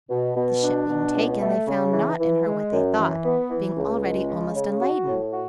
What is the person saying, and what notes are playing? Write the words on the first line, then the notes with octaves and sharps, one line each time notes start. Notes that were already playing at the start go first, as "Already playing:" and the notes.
The ship being taken, they found not in her what they thought, being already almost unladen.
B2
B2
D4
B2
C#2
A3
C#3
E3
E3
G#3
F#2
E3
B3
E3
C#2
G#3
C#3
C#3
F#4
A2
F#4